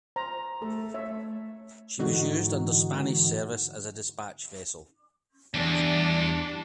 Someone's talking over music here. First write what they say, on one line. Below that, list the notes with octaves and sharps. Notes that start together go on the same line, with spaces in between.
She was used under Spanish service as dispatch vessel.
C5 A#5
A3 A4
C#5 E5
G#2 D3 E3 D#4 F#4
E2 G3 D4